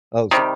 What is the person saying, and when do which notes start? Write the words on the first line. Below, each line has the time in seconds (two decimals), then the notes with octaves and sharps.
Oh, so
0.31 C3 D#3 G3